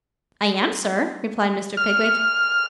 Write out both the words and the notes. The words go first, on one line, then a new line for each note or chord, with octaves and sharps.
'I am, sir,' replied Mr. Pickwick.
F6